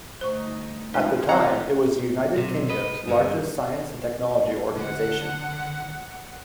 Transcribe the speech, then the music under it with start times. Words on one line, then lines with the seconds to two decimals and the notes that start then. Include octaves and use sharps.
At the time it was the United Kingdom's largest science and technology organisation.
0.21 G1 D2 D#4 C5 C#6
0.94 F3 G#3 D#4 B4
1.29 G3 C4 D#4 G4 C5 F5 F#5 A#5
2.37 B1 C3
2.70 B4 D#5
3.08 G2 D3
4.77 D3 F#5